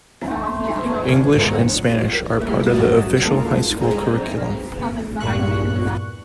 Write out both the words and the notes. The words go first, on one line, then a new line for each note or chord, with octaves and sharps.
English and Spanish are part of the official high school curriculum.
A3 C5
D4 G#5 C#6
D3 D#3
G#2 G#3 B3 F#5 A#5
G3 A3 A#3 E4
G#1 F#2 F#4 D#6 A6 E7
C#3 G#3 A#3 F4 A4 A#4
G#3
C4 G#4 A#5
E2 G2 A#2 C#6 F#6